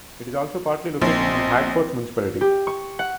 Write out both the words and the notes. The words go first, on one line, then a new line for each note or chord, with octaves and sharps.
It is also partly located in Hagfors Municipality.
A#1 C4 D#5
G4
C#6
F#5